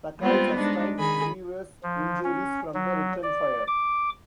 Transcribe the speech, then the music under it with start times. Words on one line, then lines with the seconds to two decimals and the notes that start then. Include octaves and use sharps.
Sakai sustained grievous injuries from the return fire.
0.19 G3 G#3 B3 C4 F4 C5
0.56 G#3 D4 D#4
0.98 D#3 G#4 B5
1.83 F3
2.24 C#4
2.74 F#3
3.23 D5
3.68 D6